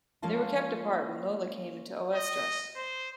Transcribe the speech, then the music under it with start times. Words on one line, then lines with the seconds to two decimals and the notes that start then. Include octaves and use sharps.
They were kept apart when Lola came into oestrus.
0.22 F3 G#3 A#3 C#4 F4 A5
2.15 D#5
2.76 C5